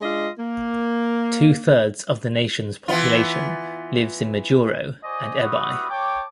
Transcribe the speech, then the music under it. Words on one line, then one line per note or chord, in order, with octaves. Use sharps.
Two-thirds of the nation's population lives in Majuro and Ebeye.
G#3 D4 F4 D#5
A#3
E3 B3 F4
F#4 C5 D5 D#5 G#5 D#6
G3 E4 F#4 B4 F#5 D#6
C#5 G5 A5 D6